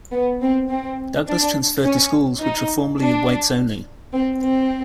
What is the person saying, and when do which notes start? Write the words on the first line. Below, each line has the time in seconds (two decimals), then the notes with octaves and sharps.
Douglas transferred to schools which were formerly whites-only.
0.13 B3
0.42 C4
0.71 C4
1.28 D4
1.85 C#4
2.41 D#4
2.99 D4
4.14 C4
4.42 C4